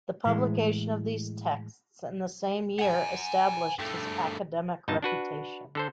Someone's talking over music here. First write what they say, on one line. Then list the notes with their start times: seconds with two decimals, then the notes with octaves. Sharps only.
The publication of these texts in the same year established his academic reputation.
0.25 A2 E3 G#3
2.79 F#5 G#5
3.79 G2 A3
4.88 G1 B2 D3 D#4 A5
5.03 D4 F#4 B4
5.75 D3 A4 C5